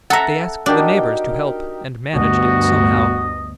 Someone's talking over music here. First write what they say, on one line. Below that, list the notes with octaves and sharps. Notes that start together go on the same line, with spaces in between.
They asked the neighbors to help and managed it somehow.
A4 E5 F#5 A#5
D4 D#4 F#4 G4 A#4 G5
D2 G2 B3 F#4 D#5